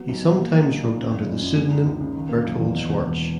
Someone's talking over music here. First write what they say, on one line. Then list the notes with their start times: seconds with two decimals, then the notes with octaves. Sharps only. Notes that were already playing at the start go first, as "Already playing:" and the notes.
He sometimes wrote under the pseudonym Berthold Schwarz.
Already playing: F#3 B3
0.09 B1
0.23 B2
0.38 A#3
0.53 D#4
0.67 B1
0.83 A#2
0.98 C#3
1.11 F#1
1.27 F#1
1.41 F#2
1.55 G#3
1.70 D#4
1.86 C#2
2.00 C#3
2.15 D#3
2.29 A#3
2.44 F#1
2.59 E2
2.74 B2
2.89 E1
3.04 E1